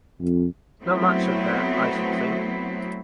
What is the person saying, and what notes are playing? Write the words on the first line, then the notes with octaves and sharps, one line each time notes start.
Not much of that, I should think.
F2
F#3 A3 B3 C4 E4 F#4